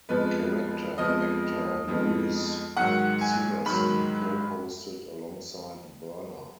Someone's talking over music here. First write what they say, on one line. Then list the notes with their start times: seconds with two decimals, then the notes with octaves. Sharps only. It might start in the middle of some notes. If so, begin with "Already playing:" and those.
Character actor Louise Siversen co-hosted alongside Berner.
0.09 F2 F3 G#3 B3 B4
0.98 F2 F3 G#3 B3 D#5
1.88 F2 F3 G#3 B3
2.77 G#2 D#3 F#3 F#5
3.21 G#5
3.66 G#2 D#3 F#3 B5